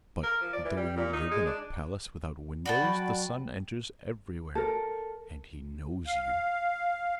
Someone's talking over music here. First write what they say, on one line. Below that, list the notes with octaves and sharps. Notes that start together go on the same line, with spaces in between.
But though you live in a palace without windows, the Sun enters everywhere, and he knows you.'
A#4
F3
D5
E3
G3
A#2
D#4
G#3
D4
F#4 D5 G5 A5 B5
F#3
A4 A#4
F5